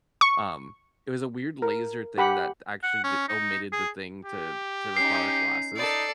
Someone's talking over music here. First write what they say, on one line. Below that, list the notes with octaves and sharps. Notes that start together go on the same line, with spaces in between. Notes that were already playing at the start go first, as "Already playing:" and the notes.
Um, it was a weird laser thing that actually di omitted the thing to to require glasses,
C#6
A#4
G4 F#5 B5
F#5
C#4
D#4
G#4
G4
C#4 D#4 C7
D#4 A4 D5